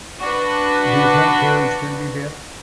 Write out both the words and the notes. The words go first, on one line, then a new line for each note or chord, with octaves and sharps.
Do you think he will still be there?
D4 F#4 B4